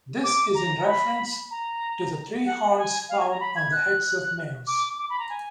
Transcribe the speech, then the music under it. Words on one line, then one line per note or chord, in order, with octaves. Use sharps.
This is in reference to the three horns found on the heads of males.
D6
A#5
B5
A#5
F#5
G#5
F5
G#5
A#5
B5
G#6
F#6
D6
D6
B5
A#5
G#5